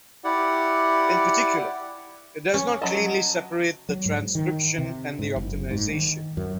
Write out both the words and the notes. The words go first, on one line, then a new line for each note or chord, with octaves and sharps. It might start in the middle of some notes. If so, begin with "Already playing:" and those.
In particular, it does not cleanly separate the transcription and the optimization.
E4 G4 D5 F#5
C#4
F#3 D#5 A5
F#3
G#2
D#3
C3
G#2
F#1
G#2
D#3
F#2